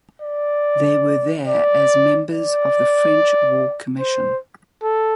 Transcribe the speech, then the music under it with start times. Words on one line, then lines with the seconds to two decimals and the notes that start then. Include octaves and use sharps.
They were there as members of the French War Commission.
0.22 D5
1.48 D5
2.32 D5
3.99 C5
4.83 A4